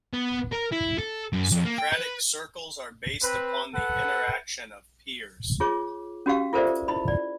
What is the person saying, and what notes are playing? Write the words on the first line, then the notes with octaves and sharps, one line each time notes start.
Socratic Circles are based upon the interaction of peers.
B3
A#4
E4
A4
F#2
F2
A#3
G5
B4
C4 B4
A4 B4 F#5
F4 G#4 C#5 D6
C#4 F#4 G4 F5
F4 A4 A#4 C5 D5 E5
E4 D#5 B5
D5